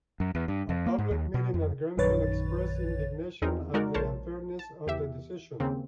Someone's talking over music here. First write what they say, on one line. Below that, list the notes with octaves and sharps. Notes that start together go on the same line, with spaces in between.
A public meeting at Grenfell expressed indignation at the unfairness of the decision.
F#2
E2
G2
F2
A#3
G#2
D#2
B2
F2
A#1 F#2 D#3 B4 C#5 A6
E2 C4 D#4 G#4 A#4
G#3 D#4 F#4 A#4 D5
A#1 A#4 C5 C#5 A5
A5
E2 G4 E5
D#2 C#3 A#3 C4